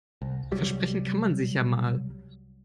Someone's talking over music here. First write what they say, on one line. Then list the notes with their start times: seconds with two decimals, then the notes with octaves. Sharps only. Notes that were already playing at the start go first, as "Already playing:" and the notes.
Versprechen kann man sich ja mal.
0.22 C2
0.51 C2 F#3 G3